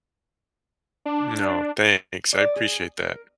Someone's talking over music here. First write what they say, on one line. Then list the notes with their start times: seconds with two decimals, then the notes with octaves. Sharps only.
No, thanks, I appreciate that.
1.06 D4
2.33 D5
2.56 G#4
2.98 A#4